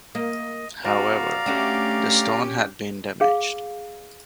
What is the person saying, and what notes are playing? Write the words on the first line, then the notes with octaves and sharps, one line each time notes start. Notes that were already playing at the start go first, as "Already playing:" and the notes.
However, the stone had been damaged.
A#3 D#5
C4 F#4 D5 F5 A#5
A3 C#4 D4 F#4 G4
G#4 F5